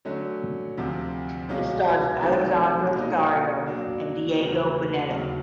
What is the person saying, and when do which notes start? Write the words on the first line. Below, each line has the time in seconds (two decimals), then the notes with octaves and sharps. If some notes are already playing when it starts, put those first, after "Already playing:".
It stars Alexandra Daddario and Diego Boneta.
0.05 D3 F#3 A3 C#4
0.78 D2 C3 F3
1.49 C2 B2 G#3 C#4 F4
2.22 C3 D#3 F#3 A3
2.94 B2 G3 A#3 D#4
3.66 F#3 A#3 D4 F#4
4.39 E2 C#3 F#3 A3
5.10 D#2 C#3 F#3